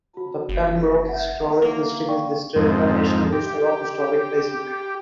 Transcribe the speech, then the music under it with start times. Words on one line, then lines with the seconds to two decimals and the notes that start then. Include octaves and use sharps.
The Pembroke Historic District is listed in the National Register of Historic Places.
0.17 F#4
0.49 F#1
1.09 E5 F#5
1.62 A#3
2.09 D5 G5 C#6
2.56 F2 G#2
3.33 G4